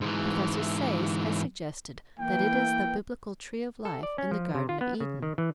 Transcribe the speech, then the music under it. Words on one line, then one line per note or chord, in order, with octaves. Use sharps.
Professor Sayce has suggested that it is the Biblical "Tree of Life" in the Garden of Eden.
G#2 E3
E3 A#3 G5
A4
D5
C#4
F3
C3
F4
B3
C#3
D#3
E3